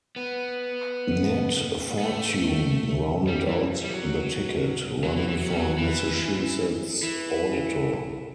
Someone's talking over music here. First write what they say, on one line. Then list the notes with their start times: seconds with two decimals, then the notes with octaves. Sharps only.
Nat Fortune rounded out the ticket, running for Massachusetts Auditor.
0.16 B3
1.99 B3
2.03 A3
3.28 G3
3.49 E3
3.83 G3
3.90 F#3
5.04 F#3
5.16 E3
5.29 E3
5.37 F#3
5.51 G3
5.57 F#3
5.78 E3
7.03 E3